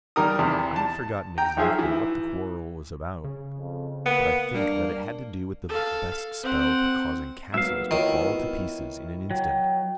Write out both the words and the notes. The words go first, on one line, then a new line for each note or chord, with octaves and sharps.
I have forgotten exactly what the quarrel was about, but I think that it had to do with the best spell for causing castles to fall to pieces in an instant.
D#2 G3 A#4 G5 A#5 D#6
E2 C3
A5
G5 A#5
B1 F3 G#4 E5
E3
C#3
F2
A#3 B3
G3 A#3 D4
A4 F5
C4 F#5
G#1 F#3 A#3 B3 E5 F5
D#3 E4 F4 C#5
F#3 G5